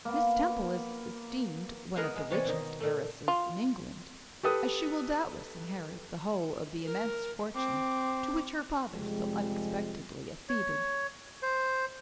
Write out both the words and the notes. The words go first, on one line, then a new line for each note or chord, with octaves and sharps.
Miss Temple is esteemed one of the richest heiresses in England, as she will doubtless inherit the whole of the immense fortune to which her father so unexpectedly acceded.
A#3 B3
G#3 B3 G#4 A#4 F#5
G#3
C3 E3 C#5 D5 G#5
B2 D#3 D#4
A#2 A3
F4
G4 A4 B4 D#6
A#4
C4 D6
F2 C3 F3 G3 G#3
C#5
C5